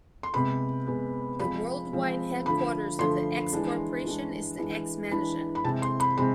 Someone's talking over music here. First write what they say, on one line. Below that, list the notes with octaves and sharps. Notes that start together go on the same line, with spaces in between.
The worldwide headquarters of the X-Corporation is the X-Mansion.
C6
C3 G#3 B3 B5
C3 G#3 B3
F3 G#3 C4 B5
F3 G#3 C4
D3 F3 A3 B5
D3 F3 A3 C6
E3 G#3 D4
E3 G#3 D4
E3 G#3 D4
E3 G#3 D4 B5
B5
C3 G#3 C4 E4 A5
C6
B5
C3 G#3 C4 B5